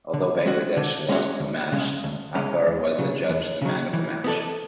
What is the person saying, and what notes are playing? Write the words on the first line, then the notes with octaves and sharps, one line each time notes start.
Although Bangladesh lost the match, Athar was adjudged the Man-of-the-Match.
D3
G#3 C#4 F#4
D3
G#3 C#4 F#4
D2
C#3 G#3 C#4
D2
C#3 G#3 C#4
E2
C#3 F#3
E2
C#3 F#3
E3
B3 E4 A4 D5